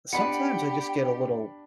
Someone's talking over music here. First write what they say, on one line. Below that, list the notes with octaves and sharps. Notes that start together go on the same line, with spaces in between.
sometimes I just get a little
B3 D4 G4 B4 B5 C#7